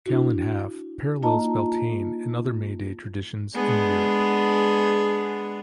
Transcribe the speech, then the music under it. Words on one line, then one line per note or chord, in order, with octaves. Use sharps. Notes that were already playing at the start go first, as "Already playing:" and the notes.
Calan Haf parallels Beltane and other May Day traditions in Europe.
D4 E4 F#4
A#3 D#4 F4 D#5 A5 A#5
G#3 B3 D4 G#4